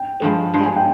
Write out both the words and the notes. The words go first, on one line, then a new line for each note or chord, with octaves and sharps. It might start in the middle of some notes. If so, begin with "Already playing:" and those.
and that
Already playing: G5
G2 F3 G#3
G2 F3 G#3
G#5
G5